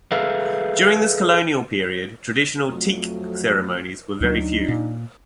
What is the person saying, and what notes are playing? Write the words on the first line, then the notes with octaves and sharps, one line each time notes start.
During this colonial period, traditional Teke ceremonies were very few.
G#4 A4 B4 E5 F5
F2 F#3 A3
D2 F#3 D4 D#4
A#2